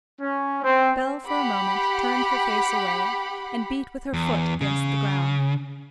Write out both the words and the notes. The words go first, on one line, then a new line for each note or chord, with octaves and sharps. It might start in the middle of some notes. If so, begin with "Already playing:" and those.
Bell for a moment turned her face away, and beat with her foot against the ground.
C#4
C4
G4 F#5 B5
E2
C#3